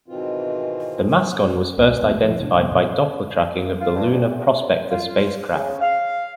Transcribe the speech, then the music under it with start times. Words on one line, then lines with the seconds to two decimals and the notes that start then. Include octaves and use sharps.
The mascon was first identified by Doppler tracking of the Lunar Prospector spacecraft.
0.08 G#2 B2 D#3 E3 C4 F4
1.78 C2 G#2 G3 B3
1.99 G#1 D#2 A3
2.21 G#2 F3
2.40 A2 C3 C#4 D4
2.57 C3 G3 A3 B3
2.72 F2 A#2 C#3
3.80 F4
3.95 G2
4.10 D2
4.28 E2
4.90 F4
5.53 C#3
5.81 F5